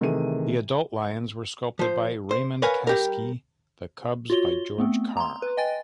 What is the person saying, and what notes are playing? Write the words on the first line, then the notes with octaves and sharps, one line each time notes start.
The adult lions were sculpted by Raymond Kaskey, the cubs by George Carr.
C3 D#3 E3 A3 G#4 D#7
F3 C5
C5
A#4 B4 C#5 F5 F#5 G#5
G3 G4 A#4
F4 F#4 C#5 G7
A3 B3 C4
A#5 C6
B4
D#5 G5 G#5 A6